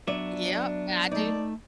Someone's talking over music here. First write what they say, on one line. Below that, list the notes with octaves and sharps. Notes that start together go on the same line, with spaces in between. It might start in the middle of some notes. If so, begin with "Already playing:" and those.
Yep, I do
F#3 B3 D4 D5 E5
A3 D#4 D5